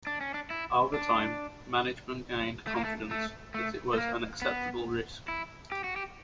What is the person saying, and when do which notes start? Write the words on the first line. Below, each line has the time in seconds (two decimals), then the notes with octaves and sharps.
Over time, management gained confidence that it was an acceptable risk.
0.07 D4
0.21 C#4
0.34 D4
0.50 E4
0.94 D4
2.67 A3
2.76 A#3
2.84 A3
3.11 A3
3.54 A3
3.93 A3
3.98 A#3
4.42 B3
5.28 E4
5.72 G4
5.84 F#4
5.96 G4